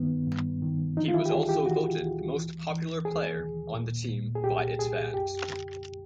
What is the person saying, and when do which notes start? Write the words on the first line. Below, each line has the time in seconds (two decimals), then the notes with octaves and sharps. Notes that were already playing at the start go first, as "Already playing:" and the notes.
He was also voted the most popular player on the team by its fans.
Already playing: G2 D#3 B3
0.28 G2
0.62 D#3
0.97 E3 D#4
1.08 F4
1.14 E4
1.26 G4
1.31 D2 G#4
1.49 G4
1.66 E3 F#4
2.01 D2
2.36 E3
2.70 E3
3.05 D#2 G#4
3.40 D#2
3.74 A#2
4.09 A#2
4.35 G#4
4.44 C2 G4
4.79 C2 G#4
5.13 F#2 G4
5.48 D3